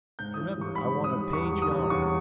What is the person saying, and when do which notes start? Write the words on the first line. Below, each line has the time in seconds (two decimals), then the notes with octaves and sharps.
Remember, I want a page yarn.
0.19 G#2 G6
0.34 D#6
0.38 E3
0.57 G3 C#6
0.76 G#2 B5
0.95 G#2
1.04 D#6
1.15 G3
1.33 E2 C#6
1.52 G3
1.62 D#6
1.71 E2
1.90 E2 C#6